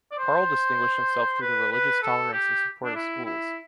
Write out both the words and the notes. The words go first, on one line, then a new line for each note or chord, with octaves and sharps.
Karl distinguished himself through the religious tolerance and support of schools.
D5
C5
B4
B4
A4
G4
D4
E4
E4